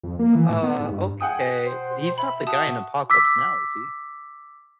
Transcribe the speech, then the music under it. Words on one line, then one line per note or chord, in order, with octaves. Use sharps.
uh, okay. He's not the guy in Apocalypse now, is he?
F2
A#3
E3
A2
B3
G#2
G2
G#4 F#5 G5 D#6
B2 C5
E5 B5
F#4 A5 D#6
D6 E6 B6